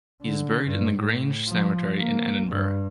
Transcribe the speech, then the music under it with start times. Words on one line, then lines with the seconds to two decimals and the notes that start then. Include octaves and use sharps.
He is buried in the Grange cemetery in Edinburgh.
0.23 D3
0.66 G2
0.97 A2
1.48 F3
1.97 A#3
2.47 G2